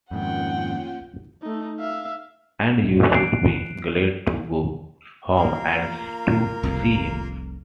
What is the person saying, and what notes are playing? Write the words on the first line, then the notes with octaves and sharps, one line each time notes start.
And you should be glad to go home, and to see him.
F2 G#2 D#3 A#3 C#4 F4 F#5 G5
A3 D#4
E5 F5
F#6 C7 D7
A#3 F4 A#4 A#5
F1 C2 F2